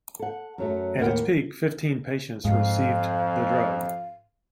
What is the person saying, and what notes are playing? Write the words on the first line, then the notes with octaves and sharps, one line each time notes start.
At its peak, fifteen patients received the drug.
A4 F#5
F#2 F#3 A3
D#2 A2 A#4 F#5 G5
F2 G#2 F5